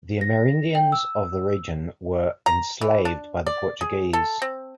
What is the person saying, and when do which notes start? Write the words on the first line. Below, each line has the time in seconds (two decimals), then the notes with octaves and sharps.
The Amerindians of the region were enslaved by the Portuguese.
0.21 A#6
0.75 G5
0.92 E6
2.46 A#5
2.81 E3
3.05 D4
3.47 D5
3.81 G#4
4.13 A4
4.42 C4